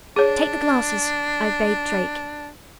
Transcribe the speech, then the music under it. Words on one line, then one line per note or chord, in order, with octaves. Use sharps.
"Take the glasses," I bade Drake.
D4 G#4 C#5